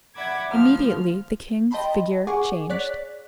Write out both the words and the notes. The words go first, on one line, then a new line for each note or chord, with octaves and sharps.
Immediately the king's figure changed.
D5 E5 F#5 B5 D6 G#6
D2 F3 F6
D#5 G5 A5 B5 C6
G#4 F#5 G#5 C#6 D6
C#5 D5 F#6 B6